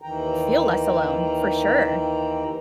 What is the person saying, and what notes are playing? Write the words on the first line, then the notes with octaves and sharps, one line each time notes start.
feel less alone, for sure.
D#2 D#3 E3 G5 A#5